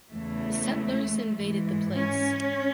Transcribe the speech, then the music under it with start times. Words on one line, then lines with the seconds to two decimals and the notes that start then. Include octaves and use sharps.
The settlers invaded the place.
0.11 E2 C#3 E3 A3
1.35 G#2 E3
1.95 C#4